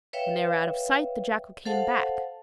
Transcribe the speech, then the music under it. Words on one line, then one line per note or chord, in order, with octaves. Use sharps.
When they were out of sight the jackal came back.
B4 C#5 E5 F5 G5
A4 C5 F5 F#5 A5